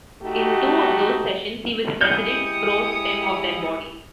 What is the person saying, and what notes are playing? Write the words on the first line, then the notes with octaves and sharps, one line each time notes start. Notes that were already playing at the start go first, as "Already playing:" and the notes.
In two of those sessions he was the president pro tem of that body.
A3 D#4 F#4 G4
G#3 E4 G4 D#6 G6 C#7